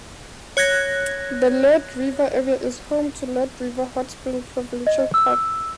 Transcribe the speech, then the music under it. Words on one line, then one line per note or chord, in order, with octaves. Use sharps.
The Liard River area is home to Liard River Hot Springs Provincial Park.
C#5 F#6 G#6 A#6
D#5
E6